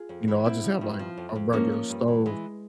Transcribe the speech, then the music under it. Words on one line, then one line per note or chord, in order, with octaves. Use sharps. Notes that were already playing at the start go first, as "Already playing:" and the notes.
you know, I just, have, like, a regular stove,
Already playing: F4 G#4
F2
E3
G#2 C4 E4
F3
G2
F3
F2
F2
F3 A#3 C#4
F3
G2
E3
E3 G#3